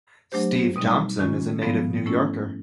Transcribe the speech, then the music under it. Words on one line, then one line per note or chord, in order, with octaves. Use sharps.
Steve Thompson is a native New Yorker.
F#3 A3 D4 G4 C5
B2 G3 C4 D#4
D#3 G#3 C#4 F4
G#2 F3 G#3 B3
A3 C#4 E4 A4